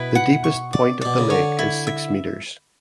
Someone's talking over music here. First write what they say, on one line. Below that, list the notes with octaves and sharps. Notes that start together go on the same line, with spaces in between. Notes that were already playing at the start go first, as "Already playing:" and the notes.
The deepest point of the lake is six meters.
Already playing: B2 E4 B4
F#5
C#6
D5
B2 D5
C#3
D3 C#5
E4
E5